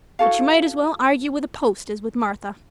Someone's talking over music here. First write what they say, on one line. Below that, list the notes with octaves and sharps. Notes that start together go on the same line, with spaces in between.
But you might as well argue with a post as with Martha.
E4 F#4 A4 F5